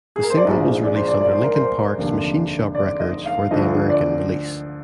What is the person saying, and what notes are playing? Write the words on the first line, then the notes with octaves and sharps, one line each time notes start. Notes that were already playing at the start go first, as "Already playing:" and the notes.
The single was released under Linkin Park's Machine Shop Records for the American release.
G#4
A#4
C5
D5
A#1 G#2 F3 D#5
D5
C5
D5
D5
C5
A#4
C5
F1 D#2 D3
D5
D#5
F5
D2 D3 F3 D#5
D5